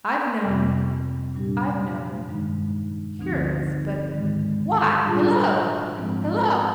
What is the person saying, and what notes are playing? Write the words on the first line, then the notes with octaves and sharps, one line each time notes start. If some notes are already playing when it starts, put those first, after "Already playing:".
I've known--I've known--curious, but--Why--Hello--hello!
F2 C3 G3 C4
A#2 G3 D4 G4
G2 D#3 G#3 D#4
D2 D3 F3 C4 D#4
G#2 D#3 G#3
A#2 G3 D4 F4 G#4
G#2 F3 G#3 C4